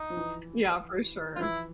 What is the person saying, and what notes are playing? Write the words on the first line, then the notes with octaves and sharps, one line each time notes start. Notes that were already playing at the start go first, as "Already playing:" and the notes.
Yeah, for sure.
Already playing: D#4
F3
E3
F3 F4
E3 E4